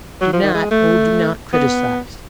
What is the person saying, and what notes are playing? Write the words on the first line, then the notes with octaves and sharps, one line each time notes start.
Do not--oh, do not--criticise.
F#3
F3
D#3
G#3
A3
B3